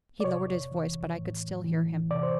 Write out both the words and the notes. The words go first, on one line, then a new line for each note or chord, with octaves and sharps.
He lowered his voice; but I could still hear him.
D5
C3 C#5
E3
A2
E3
C3 D5
C5